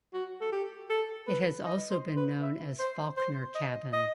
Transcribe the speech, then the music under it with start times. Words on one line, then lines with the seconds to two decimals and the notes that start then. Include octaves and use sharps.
It has also been known as Faulkner Cabin.
0.13 F#4
0.41 A4
0.52 G4
0.90 A4
1.27 B4
1.65 D#5
1.91 C5
2.16 B4
2.41 E5
2.79 C5
3.17 C5
3.55 D#5
3.93 D#5